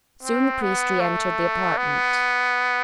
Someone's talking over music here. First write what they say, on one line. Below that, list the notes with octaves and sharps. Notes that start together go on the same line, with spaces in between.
Soon the priest re-entered the apartment.
C4
B3
A3
B3